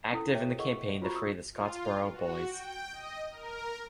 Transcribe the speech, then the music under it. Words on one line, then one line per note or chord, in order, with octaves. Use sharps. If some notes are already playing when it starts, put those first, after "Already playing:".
Active in the campaign to free the Scottsboro Boys.
C#4 E4 A4 D#6
G#4 C5 C#5 E5 G5
G#4 A#4 D#5 F#5 C#6
F4 F#4 C5 A#5 B5 C#6
C#6 D#6 E6
F4
F#4
G5
D#5
A#4